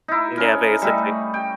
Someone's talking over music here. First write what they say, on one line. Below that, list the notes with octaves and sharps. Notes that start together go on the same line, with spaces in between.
Yeah, basically,
D#4 E4
C#4 A#4
G3 A3 D#5
G5